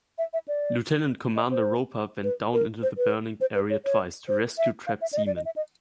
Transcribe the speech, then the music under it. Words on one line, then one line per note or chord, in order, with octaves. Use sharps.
Lieutenant Commander Roper went down into the burning area twice to rescue trapped seamen.
E5
E5
D5
D#5
C5
B4
A#4
C5
B4
C5
B4
C#5
C#5
C5
E5
F5
E5
D5
D#5
D5
D#5
E5
D#5